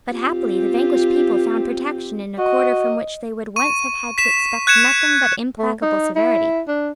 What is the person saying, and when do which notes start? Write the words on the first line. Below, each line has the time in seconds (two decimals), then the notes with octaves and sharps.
But, happily, the vanquished people found protection in a quarter from which they would once have had to expect nothing but implacable severity.
0.11 C4 F4 G4
2.39 F#4 D#5
3.56 C#6 D#7
4.18 B6 E7
4.67 F#6 G#6 C#7 E7
5.59 A3
5.82 D#4
6.16 E4
6.68 D4